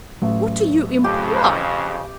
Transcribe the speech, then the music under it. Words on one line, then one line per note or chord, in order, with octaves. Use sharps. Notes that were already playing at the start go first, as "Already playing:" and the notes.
What do you imply?
A1 F#3 A3
F2 C#3 G4 D#5